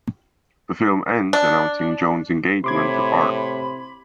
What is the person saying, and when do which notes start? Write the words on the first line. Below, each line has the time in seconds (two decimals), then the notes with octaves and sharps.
The film ends announcing Joan's engagement to Art.
1.33 D4
2.64 A2 C3 B5 C6 D6 G#6